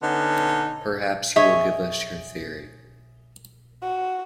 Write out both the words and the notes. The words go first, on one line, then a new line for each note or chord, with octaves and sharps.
Perhaps you will give us your theory.
D3 B3 C#4 D#4
G#4 C#5 D#5 E5
F#4